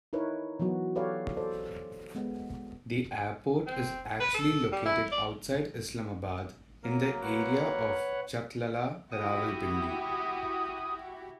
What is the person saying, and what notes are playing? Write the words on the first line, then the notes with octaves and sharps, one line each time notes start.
The airport is actually located outside Islamabad, in the area of Chaklala, Rawalpindi.
D#4 E4 A#4 B4 C#5
E3 F#3 B3 F#4
G4 A4 B4 C#5 D5 F5
A4 C5 D5
G#3 B3
C4
B4
A4
G3
E4
D5
F#3 A#3 A#4
B4 C#5 F#5
E4 F#4 G4 D#6